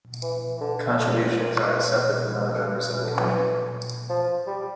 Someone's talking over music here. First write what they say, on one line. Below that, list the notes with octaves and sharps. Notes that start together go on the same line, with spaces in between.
Contributions are accepted from other members of the community.
E3
E3
D3
D3
C3
A#2
C3
A#2
A2
A#2
C3
D3
E3
D3
E3
F3
G3